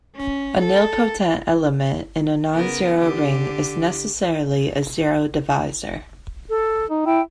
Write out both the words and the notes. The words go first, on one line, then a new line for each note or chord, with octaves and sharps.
A nilpotent element in a nonzero ring is necessarily a zero divisor.
C#4
A4
C#3 B3 A#4
D3 G4
A4
D#4
E4 G5